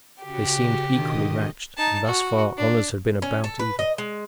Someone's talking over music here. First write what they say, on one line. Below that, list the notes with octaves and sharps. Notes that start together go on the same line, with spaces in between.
They seemed equally matched, and thus far honors had been about even.
C#3 F#4 G4
B2 D3 D#3 A#3 D#5 D#6
D#4 A5
F#4
D4
C#4
A4
B4
D#5
G#3